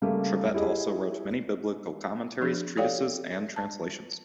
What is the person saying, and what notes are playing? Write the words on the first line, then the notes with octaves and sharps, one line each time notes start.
Trivet also wrote many biblical commentaries, treatises and translations.
C#3 G3 A3 A#3
E4 G4 G#4 D#5 E5
F3 D4 G#4
G4 A4 C#5 D5 F5 G5
A5